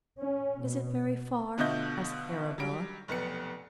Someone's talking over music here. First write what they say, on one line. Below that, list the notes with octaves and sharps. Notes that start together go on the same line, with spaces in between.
"Is it very far?" asked Arabella.
C#4
B2
B2 D3 A3 F4 D#5 G6
F#3 G3 D7
F1 B1 B3 C#7